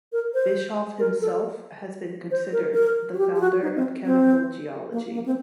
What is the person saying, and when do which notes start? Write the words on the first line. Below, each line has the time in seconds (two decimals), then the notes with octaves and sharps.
Bischof himself has been considered the founder of chemical geology.
0.12 A#4
0.34 C5
0.99 A#4
1.21 A4
2.31 C5
2.52 A#4
2.74 A#4
3.13 F#4
3.18 G4
3.35 G4
3.40 F#4
3.62 D#4
3.76 C4
4.05 C4
4.92 A#3
5.14 A#3
5.26 C4